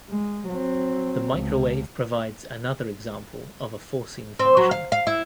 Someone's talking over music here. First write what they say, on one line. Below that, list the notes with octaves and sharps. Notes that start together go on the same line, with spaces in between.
The microwave provides another example of a forcing function.
G#3
F#3 C4
C#2
C4
F#3
F5
F5
E4